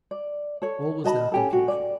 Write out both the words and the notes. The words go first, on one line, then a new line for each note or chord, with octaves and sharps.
All was now confusion.
D5
A4 C#5
F#4 D#5 A5 B5
C#4 G4 A4
F#4
D5